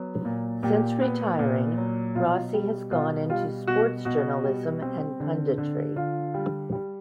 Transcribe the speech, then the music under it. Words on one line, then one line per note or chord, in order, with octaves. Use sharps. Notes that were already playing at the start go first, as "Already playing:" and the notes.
Since retiring, Rossi has gone into sports journalism and punditry.
Already playing: F#3 B3
A#2
A#2 G4
B3
A#2
F#3
B2 F4
G3
B2 F4
G3 F4
B2 F#4
B2 F#4
G3
C4
D3
D3
D3 F4
G3
G3